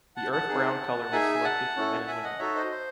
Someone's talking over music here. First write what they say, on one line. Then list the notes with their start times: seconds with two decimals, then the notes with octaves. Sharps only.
The earth brown color was selected for men and women.
0.16 F#5 A5
0.32 F#5 A5
0.48 C4 D#4 G#4
1.12 D#4 G#4 E5 G#5
1.44 F#5 A5
1.76 C#4 E4 A4
2.07 E5 G#5
2.24 D#5 F#5
2.39 D#4 F#4 A4 C#5 E5
2.55 C5 D#5
2.71 C5